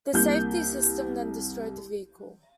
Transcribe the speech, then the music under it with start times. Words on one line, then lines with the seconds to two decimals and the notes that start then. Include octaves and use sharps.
The safety system then destroyed the vehicle.
0.14 C2 A#3 G6